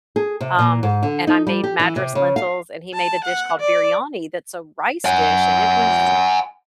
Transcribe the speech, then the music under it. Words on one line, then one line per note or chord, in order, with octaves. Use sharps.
Um, and I made Madras lentils, and he made a dish called biryani that's a rice dish, and it was
G#4
C3
A#2
G#2
D3
D#4
G3
G4
E3
C3
C#3
F5
A5
F#5
D5
F#5 G#5